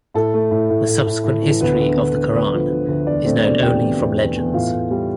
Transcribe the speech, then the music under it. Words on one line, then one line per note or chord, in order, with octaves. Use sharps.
The subsequent history of the Quran is known only from legends.
A2 A4
A3
A2
A2
A2
A2
A2
E3
D2 B3 B4
D3
D3
D3
D2 B3 B4
F3
F3
D2
E2 D4 D5
A3 C4 C5
B2 D4 D5
E2 G4 G5
E2
E2
E2
E2
A2 F4 F5
A2
G3